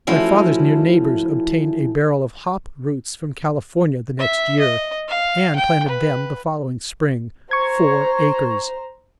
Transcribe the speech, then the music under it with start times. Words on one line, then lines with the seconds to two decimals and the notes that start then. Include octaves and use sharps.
My father's near neighbors obtained a barrel of hop roots from California the next year, and planted them the following spring--four acres.
0.07 E3 F3 A3 C#4 E4 F#4
4.19 E5
4.60 D#5
5.09 F5
5.56 G5
5.88 B4
7.51 C5 A#5 C#6 G#6